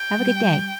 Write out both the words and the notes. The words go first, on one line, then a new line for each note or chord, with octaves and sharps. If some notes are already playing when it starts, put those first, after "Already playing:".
have a good day.
Already playing: G5
G3